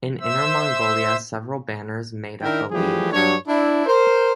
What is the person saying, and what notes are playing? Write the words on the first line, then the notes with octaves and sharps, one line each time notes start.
In Inner Mongolia, several banners made up a league.
C5 E5 E6
D#3 D4 E4 A#4 E5 G5
E3 F3 G3 A3 G4 G#4
G2 F#3 D4 C#5
D4 E4
A#4 C5